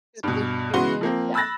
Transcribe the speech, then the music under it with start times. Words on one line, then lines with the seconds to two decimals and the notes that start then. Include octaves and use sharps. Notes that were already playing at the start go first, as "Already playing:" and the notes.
His Blue Period, yeah.
0.23 G2 B2
0.74 C#3 E3 B3 F#4 C6 G7
1.01 F3 A#3 C4
1.34 B5 E6 F#6 A6 A#6